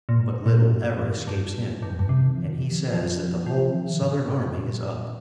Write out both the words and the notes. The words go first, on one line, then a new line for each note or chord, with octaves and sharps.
But little ever escapes him, and he says that the whole Southern army is up.
A#2
G#2
A#2
G2
G#2
G2
G2
F2
G2
C3
D#3
F3
D#3
F3
F3
F3
D#3
G#2
G2
G#2
A#2